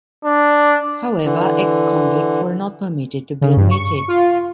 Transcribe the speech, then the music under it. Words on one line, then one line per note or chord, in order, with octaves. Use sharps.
However, ex-convicts were not permitted to be admitted.
D4
D3 E3
C#3
G2
C#6
F4